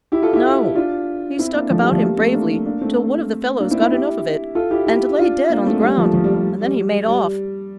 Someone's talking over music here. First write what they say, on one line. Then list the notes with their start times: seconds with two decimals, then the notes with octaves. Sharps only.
"No; he struck about him bravely, till one of the fellows got enough of it, and lay dead on the ground; and then he made off."
0.12 E4 G4
0.22 F4 A4
0.33 E4 G4
0.75 D4 F4
1.39 C4 E4
1.54 A#3 D4
1.70 F3 A3
1.81 G3
1.91 F3 A3
2.02 G3 A#3
2.17 A3 C4
2.33 A#3 D4
2.66 A#3 D4
2.81 A3 C4
3.60 A#3 D4
3.71 C4 E4
3.81 C4 E4
3.92 E4 G4
4.55 F4 A4
4.71 E4 G4
4.86 E4 G4
5.18 D4 F4
5.50 A#3 D4
5.66 A3 C4
5.82 G3 A#3
5.98 F3 A3
6.13 F3 A3
6.24 G3
6.34 G3
6.61 G3
7.08 G3